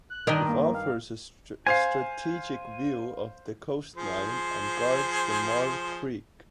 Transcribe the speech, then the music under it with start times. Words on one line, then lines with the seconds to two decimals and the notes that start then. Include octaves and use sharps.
It offers a strategic view of the coastline and guards the Marve Creek.
0.10 F#6
0.27 G2 D#3 A#4 D#5
0.48 A#3
0.75 F5
1.67 C5 F5 G#5 C7
3.96 F3 G#4 C5